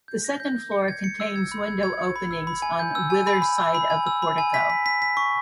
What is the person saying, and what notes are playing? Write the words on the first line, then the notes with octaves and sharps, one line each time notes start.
The second floor contains window openings on wither side of the portico.
G6
A#6
G6
G6
C#7
G#6
C#7
E6
G#6
B5
G#6
G#6
C#7
B5
E6
B5
G#5
G6
E6
G#5
B5
B5
E6
B5
G#5
E6
B5
G#5
B6
B6
B6
B6
C#6